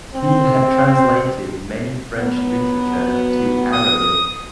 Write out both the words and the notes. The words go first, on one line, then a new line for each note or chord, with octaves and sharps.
He had translated many French literature to Arabic.
C4
C4
F#3 B3
D#6